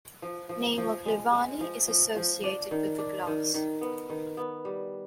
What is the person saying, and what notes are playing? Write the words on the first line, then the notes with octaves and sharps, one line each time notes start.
Name of Livani is associated with the glass.
F3
F3
F3
G#3
G#3
F3
F3
F3
D4
D#3
D4
D#3
D#3
B3
D#3
B3
G3